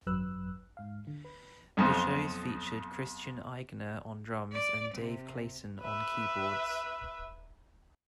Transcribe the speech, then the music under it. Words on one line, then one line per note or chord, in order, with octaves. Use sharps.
The shows featured Christian Eigner on drums and Dave Clayton on keyboards.
G#1 F#2 F#3 B4 E6 F#6
G#2 F5
D3
B4
B1 F2 F3
D5
C3
B4 E5